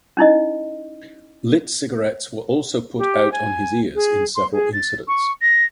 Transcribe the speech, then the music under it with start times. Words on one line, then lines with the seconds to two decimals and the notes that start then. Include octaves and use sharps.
Lit cigarettes were also put out on his ears in several incidents.
0.17 C#4 D#4 E4 D#5
2.97 G4
3.31 G#5
3.94 G#4
4.35 C6
4.52 G#4
4.73 A6
5.08 C#6
5.41 A#6